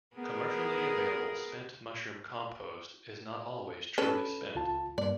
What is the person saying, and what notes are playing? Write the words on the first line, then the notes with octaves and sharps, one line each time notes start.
Commercially available 'spent' mushroom compost is not always truly spent.
B3 G#4 A#4
C#4 A4 B4
C#2 F4 A5
G2 A#3 D5